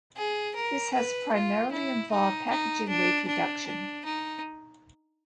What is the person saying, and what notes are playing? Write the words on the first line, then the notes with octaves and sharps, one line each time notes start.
This has primarily involved packaging weight reduction.
G#4
A#4
B4
F4
E4
D#4
D#4
D4
D4
D4
D#4